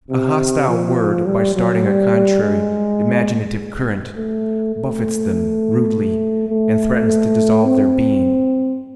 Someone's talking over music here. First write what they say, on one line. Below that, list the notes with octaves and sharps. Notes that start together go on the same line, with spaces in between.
A hostile word, by starting a contrary imaginative current, buffets them rudely and threatens to dissolve their being.
C3
F3
G3
F#3
G3
G#3
A3
A3
A3
A3
C4